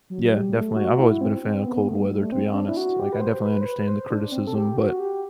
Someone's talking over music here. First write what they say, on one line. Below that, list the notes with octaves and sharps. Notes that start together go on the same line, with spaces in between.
Yeah, definitely. I've always been a fan of cold weather to be honest, like, I definitely understand the criticism, but
F#3
F#3
G3
A3
F#4
E4
C4
C4
B3
A3
G3
G3
A3
C4
D4
E4
F#4
G4
B4
C5
B4
C5
B4
B4
C5
D4
C4
A4
G4
F#4
G4